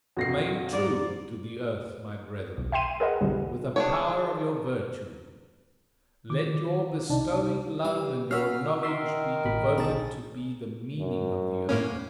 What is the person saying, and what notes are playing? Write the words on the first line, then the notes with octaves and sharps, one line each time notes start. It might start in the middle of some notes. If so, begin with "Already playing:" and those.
Remain true to the earth, my brethren, with the power of your virtue! Let your bestowing love and your knowledge be devoted to be the meaning of the earth!
A#1 F2 F#4 A#6 C7
G#2 D5
B1
E5 G5 C6 D#7
G#4 A#4 B4 D#5 F#5
B1 F2 D3 E3 G3
D4 G#4 C#5
D#3 D6
C2 C3 D4 D#4 D5 A5
G3 F5
C#4 F#4 E5 F5
D#3 A#4 E5 C6
A1 B5
B1 D#3 G#4 A5
F#2
A2 A#3 C#4